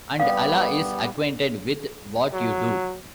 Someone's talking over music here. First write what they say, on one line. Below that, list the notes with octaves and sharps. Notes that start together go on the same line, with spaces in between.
And Allah is Acquainted with what you do.
G3 B3 F5
F#3